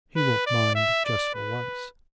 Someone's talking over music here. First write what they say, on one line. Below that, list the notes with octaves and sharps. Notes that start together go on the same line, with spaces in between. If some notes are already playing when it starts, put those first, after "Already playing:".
He won't mind just for once.
B4
D5
E5
D5
B4